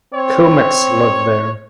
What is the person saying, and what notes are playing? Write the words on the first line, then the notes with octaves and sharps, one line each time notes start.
Kumyks live there.
C4 C#5